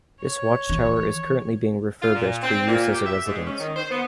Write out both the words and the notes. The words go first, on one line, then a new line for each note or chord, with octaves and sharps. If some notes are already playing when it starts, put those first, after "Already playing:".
This watchtower is currently being refurbished for use as a residence.
C#5
E3
F4
A#2
C4
A#2
G4
E5
G#2
C#4
D#3
C5
B3